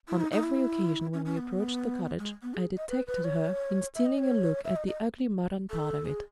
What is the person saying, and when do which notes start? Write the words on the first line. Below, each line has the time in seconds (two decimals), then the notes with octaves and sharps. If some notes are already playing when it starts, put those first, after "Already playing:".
On every occasion when we approached the cottage, I detected her in stealing a look at the ugly modern part of it.
0.08 E4
0.20 D#4
0.32 D#4
0.43 E4
1.14 C#4
1.25 C#4
1.38 B3
2.19 G#3
2.43 B3
2.54 G#4
2.77 D#5
2.89 B4
3.07 B4
3.24 C#5
3.95 E5
4.06 D#5
4.18 C#5
4.65 E5
4.76 D#5
4.88 D#5
5.70 A4
6.05 G#4